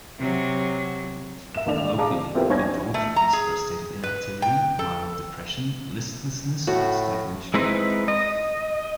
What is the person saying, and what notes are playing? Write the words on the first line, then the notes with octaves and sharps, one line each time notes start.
Colloquially, the "doldrums" are a state of inactivity, mild depression, listlessness, or stagnation.
C3 F#3
E5 E7
D#2 A3 D4 D5 F7
G#4 D5 F5 A5 A#5 D6
C4
C4 E4 F4 G4 B4
C2 D4 C#5 G#5 G#6 A#6
A3
A#5
G#4
B4
G5
A4
A2 F#4
G#3 C4 D#4 E4 B4
D#5